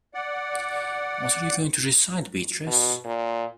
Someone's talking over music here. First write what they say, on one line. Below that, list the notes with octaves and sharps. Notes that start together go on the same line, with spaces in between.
What are you going to recite, Beatrice?
D5 F#5
B2
A#2